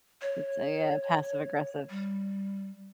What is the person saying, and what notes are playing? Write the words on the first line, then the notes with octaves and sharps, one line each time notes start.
It's a, uh, passive aggressive
C#5
G3